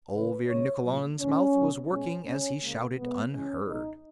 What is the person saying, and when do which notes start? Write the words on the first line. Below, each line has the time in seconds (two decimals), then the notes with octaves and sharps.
Olvir Nikkolon's mouth was working as he shouted unheard.
0.13 C#3 E3 G#3 B4
0.48 C#3 G#3 C#5
0.85 A#2 F#3
1.20 A#2 G#3 C#4
1.55 B2 F#3
1.90 B2 G#3 C#4
2.25 C#3 G#3 C#4
2.61 C#3 G#3 A#3
2.96 B2 G#3 B3
3.31 C#3 E3 G#3 C#4
3.67 B2 G#3 D#4